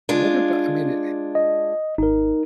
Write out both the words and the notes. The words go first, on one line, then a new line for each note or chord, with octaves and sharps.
what abou I mean, eh
G#3 D4 F4
D#5
G#1 D#4 A#4